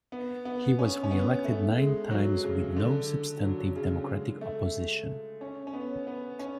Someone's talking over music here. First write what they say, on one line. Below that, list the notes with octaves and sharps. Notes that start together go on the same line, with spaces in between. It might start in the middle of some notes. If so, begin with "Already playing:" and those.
He was reelected nine times with no substantive Democratic opposition.
B3
B3
C#4
C#4
B3
A3
G#3
F#3
C#3
D3
F#3
C#3
G#3
A3
C#4
C#4
B3
B3
C#4